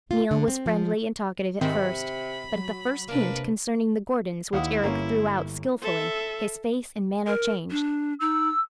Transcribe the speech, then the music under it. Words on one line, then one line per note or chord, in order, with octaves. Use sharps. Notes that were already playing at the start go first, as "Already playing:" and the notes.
Neil was friendly and talkative at first; but at the first hint concerning the Gordons which Eric threw out skilfully his face and manner changed.
F4
D3
C4
F3
G#2 C3 D#3 C4 B5
F#3
C3 A#3 D4 B4
D#2 E4 F5 F#5 D#6
G1 A#3 C#4
A4 C5 E5
A#4
D4
D#4 E6